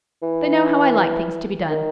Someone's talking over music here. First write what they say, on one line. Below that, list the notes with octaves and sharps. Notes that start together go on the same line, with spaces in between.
They know how I like things to be done.
E3
D#3